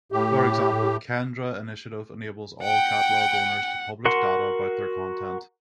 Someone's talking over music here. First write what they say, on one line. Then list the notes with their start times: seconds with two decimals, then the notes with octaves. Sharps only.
For example Kendra Initiative enables all catalogue owners to publish data about their content.
0.12 A2 G4
2.63 F#5 G5
4.05 F#4 A#4 F#5 C6